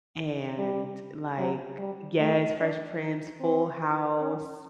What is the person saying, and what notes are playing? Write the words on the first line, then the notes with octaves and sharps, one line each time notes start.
and, like Yes, Fresh Prince, Full House,
G3
F#3
G3
A3
D4
D#4
C4
C#4